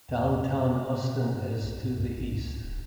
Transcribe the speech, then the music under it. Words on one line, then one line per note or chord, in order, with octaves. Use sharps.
Downtown Austin is to the east.
E2
F2
B2
B2
G2
B1
F#2
C#2
A1
C#2
D1